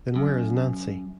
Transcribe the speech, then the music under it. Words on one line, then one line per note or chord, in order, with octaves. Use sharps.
Then where is Nancy?
F#2